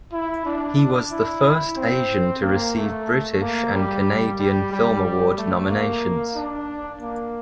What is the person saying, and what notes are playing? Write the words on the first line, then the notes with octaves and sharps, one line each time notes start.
He was the first Asian to receive British and Canadian film award nominations.
E4
D4
E4
C4
A#3
A3
A#3
G3
G3
G3
G3
A3
A#3
D4
A#3